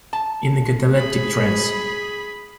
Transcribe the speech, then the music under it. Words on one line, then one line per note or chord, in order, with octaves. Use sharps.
In a cataleptic trance.
A5
G#4 B5